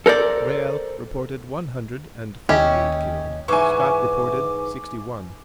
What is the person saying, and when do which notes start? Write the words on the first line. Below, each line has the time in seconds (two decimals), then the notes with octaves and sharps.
Riall reported one hundred and forty-eight killed; Scott reported sixty-one.
0.06 A4 A#4 C5 D5
2.49 D#2 C#4 E4 G4 D#5
3.48 G#2 E3 G#5 C#6 D6